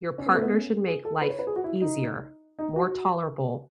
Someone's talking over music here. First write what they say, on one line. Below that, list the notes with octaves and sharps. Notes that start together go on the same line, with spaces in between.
your partner should make life easier, more tolerable,
C#4
B3
A3
B3
C#4
G#4
A4
B4
C#5
B4
G#4
F#4
E4
D#4
D#4
F#4